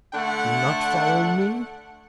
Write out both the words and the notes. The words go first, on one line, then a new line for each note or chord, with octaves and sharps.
Not following me?
D3 A3 D4 F#5